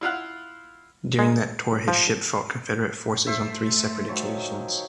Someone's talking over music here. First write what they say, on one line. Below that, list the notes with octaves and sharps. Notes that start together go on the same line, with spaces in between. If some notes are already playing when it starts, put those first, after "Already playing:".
During that tour, his ship fought Confederate forces on three separate occasions.
E4 F4 F5 F#5
G#3
F3
A3 C5 E5
D#3 F3 F#3 C#5